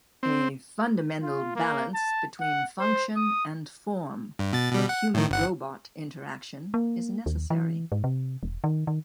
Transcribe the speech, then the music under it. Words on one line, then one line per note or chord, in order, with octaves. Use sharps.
A fundamental balance between function and form for human-robot interaction is necessary.
C4
F4
A#3
A5
F#5
C5
D#6
G2
B2 A6
B2 G3
F#5
A2 D#3
G1 F#5
A#3
D#2
E3
G#2
C3
E1
D#3
D#3